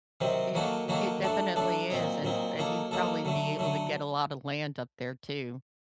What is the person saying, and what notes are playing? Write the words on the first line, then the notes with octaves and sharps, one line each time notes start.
It it definitely is, and and you've probably be able to get a lotta land up there too.
C3 D#3 F#3 C4
D#3 F#3 A#3 F#4 A4
D#3 F#3 A#3 F#4 A4
F#3 A3 D4 A4
F#3 A3 D4 A4
A#2 F#3 C4 D#4
A#2 F#3 C4 D#4
F#3 A#3 D#4 A4
F#3 A#3 D#4 A4
D3 F#3 A3
D3 F#3 A3